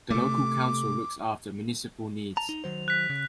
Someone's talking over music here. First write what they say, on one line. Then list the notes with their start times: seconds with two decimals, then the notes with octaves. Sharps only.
The local council looks after municipal needs.
0.10 C3 A3 D6
2.37 A5 A#5 F7
2.49 D#4
2.64 D#3 F#3 C5
2.88 F#6 B6
3.10 C#3